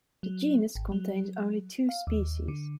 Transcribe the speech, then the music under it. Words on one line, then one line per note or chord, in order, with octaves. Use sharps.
The genus contains only two species.
F#3
G#1
F#3
F5
D#2
D3